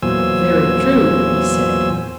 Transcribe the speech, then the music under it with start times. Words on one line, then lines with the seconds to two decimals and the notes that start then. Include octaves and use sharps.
Very true, he said.
0.02 E2 A#2 F#3 C5 G#5 E6